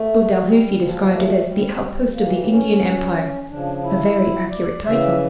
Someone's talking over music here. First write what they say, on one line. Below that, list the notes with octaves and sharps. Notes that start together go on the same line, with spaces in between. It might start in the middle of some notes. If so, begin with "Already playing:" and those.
Lord Dalhousie described it as "the outpost of the Indian Empire"--a very accurate title.
Already playing: A3
G3
A#2 F3
A3
G3
A2 E3 A#3
A#3
C#4
C#3 F3 D4
E4
D5
C#3 E3 E5